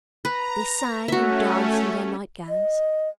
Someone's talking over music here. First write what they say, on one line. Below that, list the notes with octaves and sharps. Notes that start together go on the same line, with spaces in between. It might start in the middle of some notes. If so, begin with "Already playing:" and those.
They sang and danced in their night-gowns.
B4 A#5
A3 C#4 F#4 E5
D#5